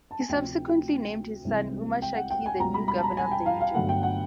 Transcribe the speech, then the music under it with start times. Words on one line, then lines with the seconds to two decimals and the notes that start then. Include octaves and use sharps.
He subsequently named his son Umar Shaikh the new governor of the region.
0.11 A5
0.21 G#5
0.29 D2 C3 F3 G5
1.44 C2 C3 E3 G#3
2.02 G5
2.16 F#5
2.30 G5
2.46 G#5
2.60 C#2 B2 G3 A#5
2.74 B5
2.88 B5
2.97 A5
3.03 A#5
3.17 G#5
3.31 G5
3.46 F5
3.61 F5
3.74 G1 G2 D3 F#3 A3 F#5
3.89 G5
4.03 F#5